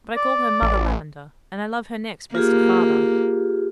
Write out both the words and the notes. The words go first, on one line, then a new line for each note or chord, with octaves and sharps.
But I call her 'Mother Lavendar' and I love her next best to father.
D5
A1
A#3 F4 G4 G#4